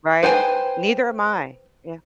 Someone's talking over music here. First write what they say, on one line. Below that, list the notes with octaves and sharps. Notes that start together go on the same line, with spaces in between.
Right. Neither am I. Yeah.
B4 C5 G5 G#5